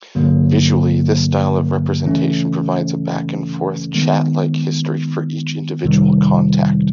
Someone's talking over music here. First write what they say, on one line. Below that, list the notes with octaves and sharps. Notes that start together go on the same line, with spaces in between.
Visually, this style of representation provides a back-and-forth chat-like history for each individual contact.
G2 D3 F#3 A#3
C#3 E3 A3 C#4
D#3 G#3 B3
F2 C3 D#3 G3